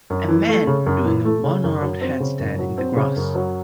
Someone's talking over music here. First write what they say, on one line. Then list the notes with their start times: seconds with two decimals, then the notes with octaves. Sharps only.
A man doing a one armed handstand in the grass.
0.10 F#2
0.29 E3
0.49 A3
0.67 C#3
0.86 F#2
1.05 E3
1.25 A3
1.44 C#3
1.64 F#2
1.82 F#3
2.01 C4
2.20 C#3
2.39 F#2
2.59 F#3
2.78 C4
2.97 C#3
3.17 F#2
3.35 F#3